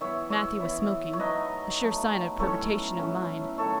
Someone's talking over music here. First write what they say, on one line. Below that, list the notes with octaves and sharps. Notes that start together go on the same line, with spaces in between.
Matthew was smoking--a sure sign of perturbation of mind.
E3 B3 E4 C#5 E5
C#5 E5
E3 B3 E4
C#5
F#3 A3 D#4 B4 D#5
F#3 A3 D#4
A2 F#3 A3 C#4 A4 C#5
A2 F#3 A3 C#4
D#3 F#3 A3 A4 C#5